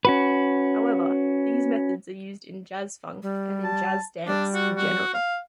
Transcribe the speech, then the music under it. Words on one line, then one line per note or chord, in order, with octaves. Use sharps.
However, these methods are used in jazz-funk and in jazz dance in general.
C#4 F#4 B4
G3
A5
G3 D4
F#4
F#4
F5